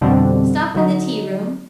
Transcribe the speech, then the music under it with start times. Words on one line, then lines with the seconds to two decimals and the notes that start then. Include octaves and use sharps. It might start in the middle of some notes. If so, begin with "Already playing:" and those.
'Stop in the tea-room.
0.01 F2 B2 D3 G3 C4 D4
0.75 D3 F#3 D#4